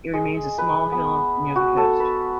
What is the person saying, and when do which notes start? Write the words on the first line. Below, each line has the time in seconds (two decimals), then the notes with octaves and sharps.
It remains a small hill near the coast.
0.13 G#3
0.58 B4
0.92 B3
1.56 F#4
1.77 A4
2.00 B4